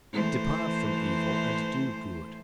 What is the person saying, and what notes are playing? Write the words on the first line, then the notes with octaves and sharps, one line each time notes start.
Depart from evil, and do good.
E3 A3 C5